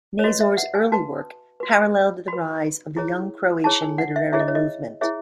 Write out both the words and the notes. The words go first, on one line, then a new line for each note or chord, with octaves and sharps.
Nazor's early work paralleled the rise of the Young Croatian literary movement.
C#5
F#4 B4 D#5
E5
F#5
G#5
F#4 B4 A5
F#4 B4
F#4 B4 B5
E4 G#4 C#5
E4 G#4 C#5 A5
G#5
F#5
E5
E4 G#4 C#5 E5
D#5
C#5
D#5
E4 G#4 C#5 E5